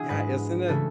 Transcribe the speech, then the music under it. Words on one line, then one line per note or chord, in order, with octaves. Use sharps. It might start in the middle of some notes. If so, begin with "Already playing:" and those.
Yeah, isn't it?
Already playing: E3 D4 E4 F#4 G#4
G#2 G#3 B4
C#3 E3 A3 A4